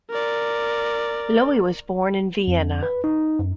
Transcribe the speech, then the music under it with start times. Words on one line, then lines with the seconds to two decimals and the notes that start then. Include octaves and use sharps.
Loewy was born in Vienna.
0.10 A#4 D5
2.48 F2
2.83 B4
3.04 D#4
3.39 F#2